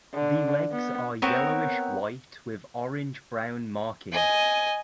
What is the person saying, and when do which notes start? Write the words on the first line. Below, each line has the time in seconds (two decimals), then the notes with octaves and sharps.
The legs are yellowish white with orange brown markings.
0.15 D3
0.72 B3
1.22 B3 C4 A#4 C#5
4.12 D#5 G#5